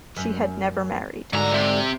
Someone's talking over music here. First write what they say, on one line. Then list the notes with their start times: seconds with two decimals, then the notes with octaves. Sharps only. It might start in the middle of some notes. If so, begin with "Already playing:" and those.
She had never married.
0.16 F#2
1.33 F2 G#2 D3 F#4 A#5
1.54 C3